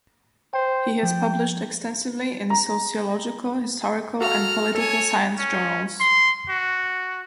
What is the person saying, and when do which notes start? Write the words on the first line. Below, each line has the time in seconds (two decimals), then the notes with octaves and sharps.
He has published extensively in sociological, historical and political science journals.
0.54 C5 G5
1.03 F3 G5
2.50 A#5
4.20 F#4 A4 F5 A#5 F6
4.75 A4 C#5 G#5
5.39 C#4
6.00 C6
6.49 F#4